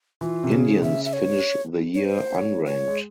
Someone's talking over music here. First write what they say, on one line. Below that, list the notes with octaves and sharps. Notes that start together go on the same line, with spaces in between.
Indians finish the year unranked.
E3 F4
C3
C#3 G#4
C#3 E5
E5
C#5
C#5
C5
C#5
C#5
G#3